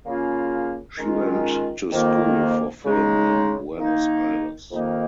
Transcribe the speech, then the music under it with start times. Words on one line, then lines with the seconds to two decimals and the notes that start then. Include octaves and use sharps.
She went to school for film in Buenos Aires.
0.06 C#3 A#3 C#4 F4
0.98 D#3 G#3 C#4 F4
1.92 F2 D#3 A#3
2.84 C#3 G#3 D#4
3.78 D#3 A#3 D#4
4.70 F2 D#3 A#3 D#4